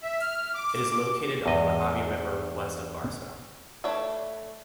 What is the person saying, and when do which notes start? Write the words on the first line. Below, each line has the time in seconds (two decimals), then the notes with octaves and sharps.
It is located on the Mojave River, west of Barstow.
0.02 E5
0.21 F6
0.54 D6
1.46 E2 D#5
3.84 A3 D4 B4 C#5 E5